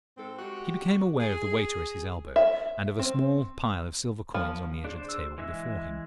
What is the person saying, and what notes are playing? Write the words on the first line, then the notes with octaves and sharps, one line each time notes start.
He became aware of the waiter at his elbow and of a small pile of silver coins on the edge of the table before him.
G#2 C4 A4
G#3 F#4 G4
G#4
E5
C4
F3
D4 G#4 C5
E6
E3 G#3 E5